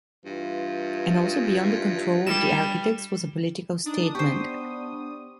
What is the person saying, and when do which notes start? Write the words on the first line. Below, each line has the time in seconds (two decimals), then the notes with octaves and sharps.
And also beyond the control of the architects was a political statement.
0.25 G2 E3 F4
2.27 G3 E7
3.86 D4 D#4 D#6
4.15 B3 G4 C5 C#6